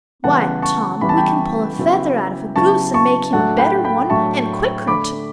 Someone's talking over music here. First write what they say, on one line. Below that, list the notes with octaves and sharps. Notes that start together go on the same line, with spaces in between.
"Why, Tom, we can pull a feather out of a goose and make him a better one; and quicker, too."
C#3 E3 G3 B3 F#5 A5
A5 C#6
C#3 E3 G3 B3 B5
A5
G5 B5
C#3 F#3 B3 E4
C#3 F#3 B3 E4 A5 C#6
A5 C#6
A2 F#3 A3 D4 F#5 A5
G5 B5
G5 B5
A2 F#3 A3 D4 A5 C#6
D3 A3 D4 B5 D6